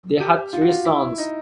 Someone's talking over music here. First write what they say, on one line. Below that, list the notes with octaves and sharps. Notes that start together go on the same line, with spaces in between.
They had three sons.
G4
F4
F#4
F4
E4
D#4